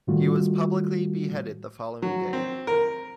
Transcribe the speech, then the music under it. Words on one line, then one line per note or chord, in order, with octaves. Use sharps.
He was publicly beheaded the following day.
A2 D#3 G3 A3 F4 F#4
F#3
C4
A#4